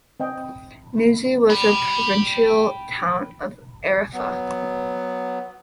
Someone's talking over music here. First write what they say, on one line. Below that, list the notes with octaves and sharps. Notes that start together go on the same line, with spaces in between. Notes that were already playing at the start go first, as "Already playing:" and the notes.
Nuzi was a provincial town of Arrapha.
C4 D#5 G5
G5 B5
F#3 B3